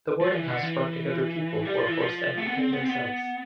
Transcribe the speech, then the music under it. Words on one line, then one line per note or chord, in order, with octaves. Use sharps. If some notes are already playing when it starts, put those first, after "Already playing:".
The boarding house brought together people who are forced to entertain themselves.
F3
E3
D3
E3
G3
F3
E3
F3
A3
B3
C4
B3
C4
B3